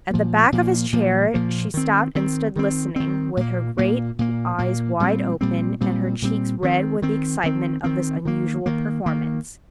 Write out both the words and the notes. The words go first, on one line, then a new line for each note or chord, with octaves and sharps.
At the back of his chair she stopped and stood listening, with her great eyes wide open and her cheeks red with excitement of this unusual performance.
A#2 F3 A#3
A#2 F3 A#3
A#2 F3 A#3
A#2 F3 A#3
D#3 C4
D#3 C4
D#3 C4
D#3 C4
A#2 A#3
A#2 A#3
A#2 A#3
A#2 A#3
A#2 G3 C4
A#2 G3 C4
A#2 G3 C4
A#2 G3 C4
D#3 C4
D#3 C4
D#3 C4
D#3 C4
D#3 A#3
D#3 A#3
D#3 A#3